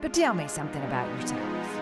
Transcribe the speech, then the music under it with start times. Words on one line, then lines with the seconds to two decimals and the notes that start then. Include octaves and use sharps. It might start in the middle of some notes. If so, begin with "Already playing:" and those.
"But tell me something about yourselves."
Already playing: G#3 D4 F4
0.41 B2 G3 B3 D#4
0.98 F3 G#3 B3 D#4